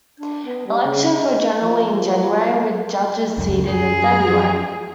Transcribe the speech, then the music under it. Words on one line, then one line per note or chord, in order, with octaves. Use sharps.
Elections were generally in January, with judges seated in February.
D4
B3
G3
C#3
D#5
F3
F3
C#2 F#2
F#2 G#4